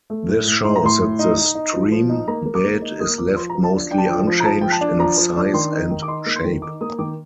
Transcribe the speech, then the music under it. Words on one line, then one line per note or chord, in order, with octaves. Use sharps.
This shows that the stream bed is left mostly unchanged in size and shape.
A3
A2
A2
A2 C6
A#5
A2 C6
A2
D#4
D#4
D#4
F3
F3
D#4
A#3 A#5
A#3
D6
A#3
D#4
A#3 D#6
F3 D6
F3 C6
A#5
F3
A5
D4
D4 G5
A5
F3 G5
F3
A#5
F3 A5
F3 G5
A5
D4
F3 A#5
F3
D4
D#3 C6
D#4
D#3
D6
D#4 C6
A#3
C6
D#3
D#4 D6
A#3 D#6
D#3 D6